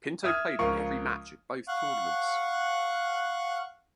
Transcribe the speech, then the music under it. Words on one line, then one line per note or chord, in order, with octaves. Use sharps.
Pinto played in every match at both tournaments.
E5 D#6 F6 G#6
C#2 F3 A#4 F5 C#6
F5 F#5 C#6 F#6